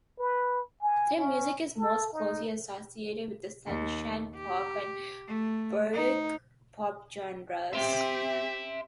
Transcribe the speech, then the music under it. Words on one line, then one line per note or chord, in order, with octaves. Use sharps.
Their music is most closely associated with the sunshine pop and baroque pop genres.
B4
G#5
C#4
A4
D#4
D#2
G4
A3
D#4
C4 G4 E5 C6